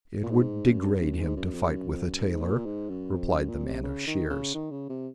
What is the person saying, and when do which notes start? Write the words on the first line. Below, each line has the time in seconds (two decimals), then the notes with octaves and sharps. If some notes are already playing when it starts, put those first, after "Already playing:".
"It would degrade him to fight with a tailor," replied the man of shears.
0.23 A#2
0.31 G#2
0.66 F#2
1.01 F#2
1.20 G#2
1.36 F#2
1.54 F2
1.71 F#2
1.89 F2
2.07 F#2
2.25 G#2
2.42 A#2
2.66 G#2
2.89 F#2
3.13 F2
3.31 F#2
3.48 A#2
3.65 C3
3.83 C#3
4.07 D#3
4.30 C#3
4.54 D#3
4.71 C#3
4.89 C3